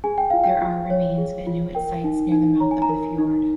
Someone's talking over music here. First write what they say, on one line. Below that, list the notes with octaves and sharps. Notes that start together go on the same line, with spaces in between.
There are remains of Inuit sites near the mouth of the fjord.
G#4 G#5
G5
F4 F5
G5
F4
C#5
G#4
F4
A#4 G5
D#4
D#4
C#5 A#5
G#5
A#5
A#4
D#4